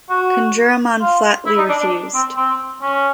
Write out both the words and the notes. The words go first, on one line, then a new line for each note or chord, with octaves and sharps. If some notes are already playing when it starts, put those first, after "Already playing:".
Kunjuraman flatly refused.
F#4
F4
E4
D#4
D4
D4
C4
C4
C#4